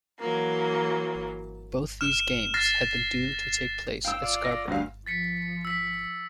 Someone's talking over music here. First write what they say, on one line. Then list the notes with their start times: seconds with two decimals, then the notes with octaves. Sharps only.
Both these games had been due to take place at Scarborough.
0.19 E3 F#3 A#3
2.01 F6 E7
2.54 F6 A6 A#6 C7
4.05 F5 G5 E6
4.22 F4 D5
4.44 A#6
4.68 D2 G2 F5
5.06 F3 A6 B6 C#7
5.65 E6 B6